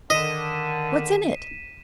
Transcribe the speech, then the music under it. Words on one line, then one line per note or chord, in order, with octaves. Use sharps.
"What's in it?"
D3 D#3 D#5 B6 D#7 E7